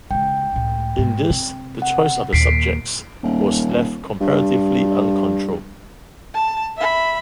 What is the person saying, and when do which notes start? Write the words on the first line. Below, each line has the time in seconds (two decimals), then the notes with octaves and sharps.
In this the choice of the subjects was left comparatively uncontrolled.
0.11 C#3 G#3 G5
0.52 C#2 A2
0.98 G#2
1.30 C3
1.82 F#5
2.33 D#2 A#2 B6 C7 D7
3.23 D#1
4.21 G2
6.34 A5
6.77 E5 B5